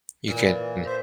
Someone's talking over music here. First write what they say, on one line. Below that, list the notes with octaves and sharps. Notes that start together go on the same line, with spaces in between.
You can n
A#2 E3
C5 E5